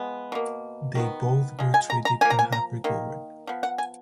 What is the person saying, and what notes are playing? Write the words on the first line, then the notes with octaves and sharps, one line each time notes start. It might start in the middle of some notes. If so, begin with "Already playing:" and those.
They both were treated and have recovered.
Already playing: F3 G#3 B3
B2 A#3
D#3 F#3 B3
F3 G#3
G#5
A#5
A#5
F3 A#3 G#5
A#5
G#5
A#5
D#3 A#3
F3 B3
F#5
G#5